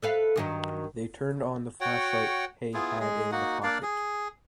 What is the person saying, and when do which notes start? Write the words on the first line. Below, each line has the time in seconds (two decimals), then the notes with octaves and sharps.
They turned on the flashlight hey had in the pocket.
0.02 A4 B4 F5
0.36 G2 D#3 F#3
1.81 F#4 C#5 F#5 G5
2.74 B3 E4 F4 G#4
3.00 G#3 G#4
3.31 A#3 D#4 F#4 F#5
3.63 A#3 D4 D5 F5
3.83 G#4